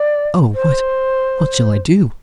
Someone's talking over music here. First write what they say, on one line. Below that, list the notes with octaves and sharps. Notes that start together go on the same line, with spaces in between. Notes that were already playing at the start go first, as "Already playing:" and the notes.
Oh, what!--what shall I do?
Already playing: D5
C5